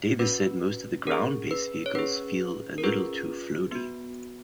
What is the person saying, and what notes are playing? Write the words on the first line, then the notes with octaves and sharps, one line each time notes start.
Davis said most of the ground-based vehicles feel a little too floaty.
C#4 F#4 B4
C#4 G#4 A#4
B4
C#5
C#4 G#4 B4
A#4
C#4 F4 G#4 B4
B3 F#4